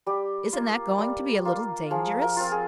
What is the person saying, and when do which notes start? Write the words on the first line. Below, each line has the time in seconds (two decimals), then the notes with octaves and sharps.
"Isn't that going to be a little dangerous?"
0.06 G3 G4
0.53 A#3 F4
0.99 G3
1.45 A#3 F4
1.91 F3 G#4
2.21 A#4
2.37 C4 F4
2.52 G#4